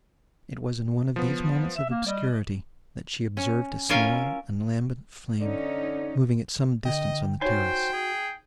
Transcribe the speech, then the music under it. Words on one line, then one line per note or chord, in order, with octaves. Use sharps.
It was in one of these moments of obscurity, that she observed a small and lambent flame, moving at some distance on the terrace.
F3 B3
E5 E7
A#3
G3 D5 D#5
C#4
C#4 E4 F4 A#4 E5 F5
D3 C#4 D#4
D3 D#5 G5
D#4 F#4 C5 C#5 G5 G#5
G#4